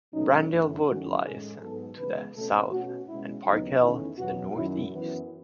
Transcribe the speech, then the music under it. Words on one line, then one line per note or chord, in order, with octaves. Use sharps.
Brandhill Wood lies to the south and Park Hill to the northeast.
B2 F#3 A3 C#4 D#4
F#2 E3 A3 C#4 E4
F#2 D#3 F#3 A3 C#4 F#4
A2 G#3 C#4 G#4
G#2 F#3 B3 A4
C#3 E3 G#3 B3 B4
B2 A3 C#4 A4
B2 A3 C#4 F#4
B2 G#3 C#4 E4
D#2 C#3 F#3 B3 D#4
E2 D#3 A3 C#4 E4
E2 B2 F#3 B3 F#4
F#2 D#3 F#3 C#4 E4
F#2 E3 B3